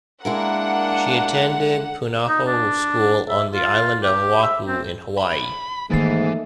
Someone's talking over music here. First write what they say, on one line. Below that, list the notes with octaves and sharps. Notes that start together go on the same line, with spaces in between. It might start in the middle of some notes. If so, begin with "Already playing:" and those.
She attended Punahou School on the island of Oahu in Hawaii.
G#3 A#3 D4 E4 A#4 F#5
D#4
D4
E5
F4
G4
E5
C4
B5
G#2 D#3 E3 A3 A#3 A6 C7